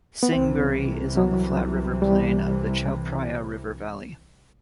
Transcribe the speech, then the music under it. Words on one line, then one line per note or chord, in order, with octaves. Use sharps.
Sing Buri is on the flat river plain of the Chao Phraya River valley.
B3
C2 C3 E3 C4
F#3
G3